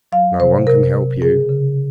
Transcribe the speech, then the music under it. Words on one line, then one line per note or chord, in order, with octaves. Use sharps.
No one can help you.
F#3 F5
C3 C5
C3 A#4
C3
C#3 G#4
C#3